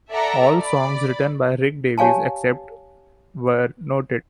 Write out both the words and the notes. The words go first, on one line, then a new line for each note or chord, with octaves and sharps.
All songs written by Rick Davies, except where noted.
A4 D5 E5 F#5 A#5
D5 B5
G4 C#5 F5 G#5 A5